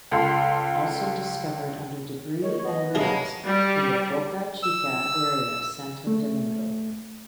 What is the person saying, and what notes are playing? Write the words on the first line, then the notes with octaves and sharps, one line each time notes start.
Also discovered under debris and ruins in the Boca Chica area of Santo Domingo.
C#2 A4 F5 C6
D#3 C#5
B3 D#5
C#3 E3 F#3 G#3 A#3 G#4 A5
G3
E6
A3